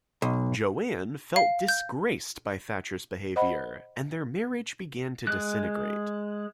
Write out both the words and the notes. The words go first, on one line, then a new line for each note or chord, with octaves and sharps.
JoAnn felt disgraced by Thatcher's behaviour, and their marriage began to disintegrate.
B1
F5
G6
C5 D#5 F#5 B5
G#3 F#6